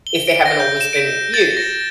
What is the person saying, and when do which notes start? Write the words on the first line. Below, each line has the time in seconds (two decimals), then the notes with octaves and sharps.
if they haven't always been with you.
0.07 G7
0.28 D7
0.46 A#6
0.60 G6
0.81 E7
0.93 D7
1.34 A6
1.57 A#6